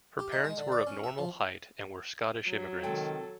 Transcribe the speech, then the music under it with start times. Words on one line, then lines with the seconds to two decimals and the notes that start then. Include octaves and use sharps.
Her parents were of normal height and were Scottish immigrants.
0.19 G4
0.32 D#4
0.44 G#3
0.58 D3
0.72 D5
0.87 C#4
1.04 E5
1.18 F3
2.47 F#3
2.83 C3 D#3 G#3 A4 G5